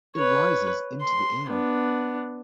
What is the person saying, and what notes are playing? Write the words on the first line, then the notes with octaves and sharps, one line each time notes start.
It rises into the air.
B4 C#5
C6
B3 D4